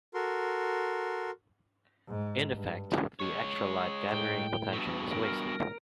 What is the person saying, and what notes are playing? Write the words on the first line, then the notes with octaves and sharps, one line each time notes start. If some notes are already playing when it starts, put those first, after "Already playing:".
In effect, the extra light gathering potential is wasted.
F#4 A4 A#4 C6
G#2
G2
G#3 C#5
A2 G5
G2 B2
A#4